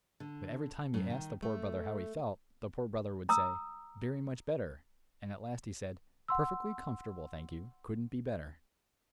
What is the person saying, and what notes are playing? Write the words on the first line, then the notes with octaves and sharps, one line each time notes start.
But every time he asked the Poor Brother how he felt, the Poor Brother would say, "Very much better"; and at last he said, "Perfectly comfortable, thank you; couldn't be better."
D3
F#2
D#3
A3
A#5 D#6 E6
F#5 C6 E6